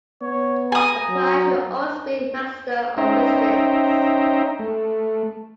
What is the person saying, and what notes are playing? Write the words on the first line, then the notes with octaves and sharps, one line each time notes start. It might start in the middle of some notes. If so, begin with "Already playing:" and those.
The client should always be master or mistress.
B3 C#5
G#5 A#5 D#6
F#3
C#4 D#4 C5 E5 G5 A#5
A3